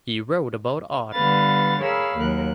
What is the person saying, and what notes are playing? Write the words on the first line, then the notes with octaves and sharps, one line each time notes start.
He wrote about art.
D3 G3 B3 B4 F5 A6
G#4 A#4 C#5 F5 B5 E6
D#2 F#3 A#4 F#6